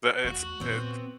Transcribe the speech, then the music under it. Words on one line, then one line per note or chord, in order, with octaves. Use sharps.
the it's it
E2 A3 F#4
A#2 B3 C4